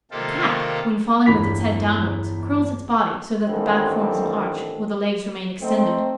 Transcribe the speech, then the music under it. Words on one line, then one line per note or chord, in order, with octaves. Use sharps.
A Cat, when falling with its head downwards, curls its body, so that the back forms an arch, while the legs remain extended.
C3 D#3 A#3 F4 G4 A4
G1 E2 E3 B5 B6 F7
A1 G2 D#3 B3 C4 A4
A3 C4 D#4